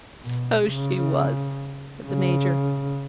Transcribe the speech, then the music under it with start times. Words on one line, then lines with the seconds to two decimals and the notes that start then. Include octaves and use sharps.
"So she was," said the Major.
0.22 B2
0.68 C#3
2.05 C#3